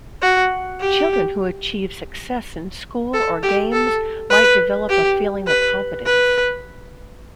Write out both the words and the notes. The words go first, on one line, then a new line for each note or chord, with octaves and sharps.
Children who achieve success in school or games might develop a feeling of competence.
F#4
G4
A4
G4
A4
B4
G4
B4
B4